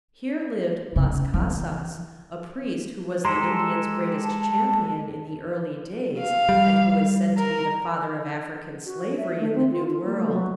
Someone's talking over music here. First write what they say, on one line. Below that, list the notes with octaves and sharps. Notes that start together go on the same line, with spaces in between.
Here lived Las Casas, a priest who was the Indian's greatest champion in the early days and who is said to be the father of African Slavery in the new world.
C#3
E3
G#3 G4 A4 A#5 C6
A5
F5
G3
A#4
F#4
E5
A3
C4
F4
F4
A#3
A3
F#3